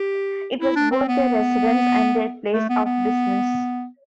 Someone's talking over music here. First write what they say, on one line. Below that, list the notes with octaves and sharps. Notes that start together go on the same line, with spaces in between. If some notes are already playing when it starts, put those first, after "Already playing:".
It was both their residence and their place of business.
Already playing: G4
E4
D4
C4
B3
A3
B3
B3